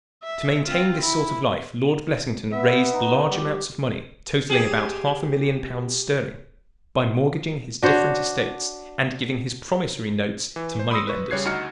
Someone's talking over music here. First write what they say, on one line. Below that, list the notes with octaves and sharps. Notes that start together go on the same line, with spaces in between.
To maintain this sort of life Lord Blessington raised large amounts of money, totaling about half a million pounds sterling, by mortgaging his different estates and giving his promissory notes to money-lenders.
E5
C4 F4
E4
B3 E5
D#4 A#5
G3 G4
G4 G#4
D4 F#4 C5 C#5
E3
C5
B5 C6 D#6 E6 A#6
B4 C#6
C#3 G3 C#5 F#6 G#6 C7
D2 D#4 F#4 F6 C#7